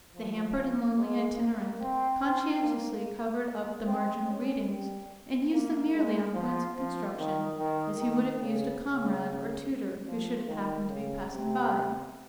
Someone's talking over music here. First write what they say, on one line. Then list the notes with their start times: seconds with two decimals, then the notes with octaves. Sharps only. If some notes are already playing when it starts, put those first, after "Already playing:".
The hampered and lonely itinerant conscientiously covered up the marginal readings, and used them merely on points of construction, as he would have used a comrade or tutor who should have happened to be passing by.
0.15 F3
0.97 G#3
1.38 A#3
1.80 C4
2.21 C4
2.62 A#3
3.46 A#3
3.86 C4
4.28 C#4
4.69 G3
5.52 A#3
5.93 G#3
6.34 F3
6.75 F3
7.17 D#3
7.58 D#3
7.99 D#3
8.40 C#3
8.82 C#3
10.07 F3
10.47 D#3
10.88 C#3
11.30 C3